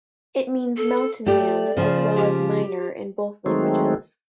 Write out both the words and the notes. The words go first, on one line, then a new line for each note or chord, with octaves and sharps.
It means "mountain man" as well as "miner" in both languages.
A4
A3 G4 D5
C#3 F3
G4
D#3 F#3 G#3 A3 C4